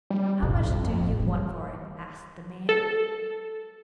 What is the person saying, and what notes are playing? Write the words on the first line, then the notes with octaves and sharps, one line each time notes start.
"How much do you want for it?" asked the man.
G3
C2 F2 A2
G1
A1 A2
E3 G3
A4